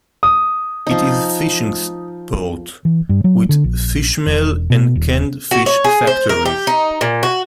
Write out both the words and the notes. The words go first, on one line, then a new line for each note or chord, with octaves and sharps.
It is a fishing port, with fishmeal and canned fish factories.
D#6
F3 D#4
E3
G2
F#3
D3
A#1
E1
B2
D#1
F#4
C#5
G#4
C5
A#4
G4
D#4
A#2
F#4